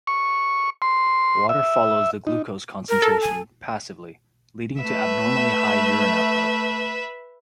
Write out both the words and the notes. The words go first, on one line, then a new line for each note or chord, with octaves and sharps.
Water follows the glucose concentration passively, leading to abnormally high urine output.
C#6
C6
E5
D#4
A#4
A4
G#5
A3 B4 E5